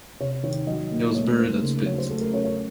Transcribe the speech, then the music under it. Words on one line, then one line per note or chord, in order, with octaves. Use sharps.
He was buried at Split.
C3 C#5
D#3 C#5
F#3 D#5
A#3
A3 C#5
D#4 C5
C#3 A#4
F#3 C#5
C5
A3 A4
A#4
C#4 C#5
C#5